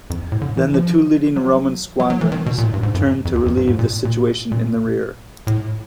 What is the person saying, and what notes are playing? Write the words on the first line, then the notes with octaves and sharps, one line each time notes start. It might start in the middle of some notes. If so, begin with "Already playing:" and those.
Then the two leading Roman squadrons turned to relieve the situation in the rear.
F2
A2
D3
E3
F3
F#3
F#3
F#3
E3
D#3
B2
A#2
A2
G2
G#2
F#2
F2
E2
F2
G2
G#2
A#2
A#2
A#2
A2